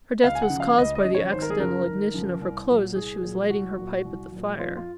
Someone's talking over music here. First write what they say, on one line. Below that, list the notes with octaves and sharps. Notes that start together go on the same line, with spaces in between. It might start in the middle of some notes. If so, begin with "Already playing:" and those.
Her death was caused by the accidental ignition of her clothes as she was lighting her pipe at the fire.
C#2 F5
G#5
F#5
C#3 F3
F5
C#2 D#5
D#5
C#3 F3
C#5
G#1 C5
A#4
G#4
F#2 C#3 F3 A#4
G#1
F#2 C#3 F3
C2
A#2 F#3
C2 G#4
A#2 F#3
C2 F#4
A#2 F#3
C2
A#2 F#3
F2 F4
F4